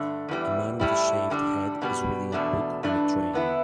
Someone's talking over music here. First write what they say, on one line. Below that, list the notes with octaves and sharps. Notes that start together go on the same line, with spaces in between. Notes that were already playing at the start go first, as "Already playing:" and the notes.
A man with a shaved head is reading a book on a train.
Already playing: G2 D3 A3
E2 E3 G3
A2 G3 E4
D3 G3 D4
B2 G3 B3
E2 B2 A3 D4
G2 E3 A3 D4
D3 B3 E4